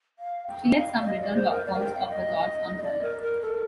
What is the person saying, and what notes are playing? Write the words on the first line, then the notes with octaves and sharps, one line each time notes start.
She left some written accounts of her thoughts on colour.
F5
G5
D#5
F5
D5
D#5
D5
C5
A#4
D5
F5
G5
F5
D#5
D#5
D5
A#4
A#4
A4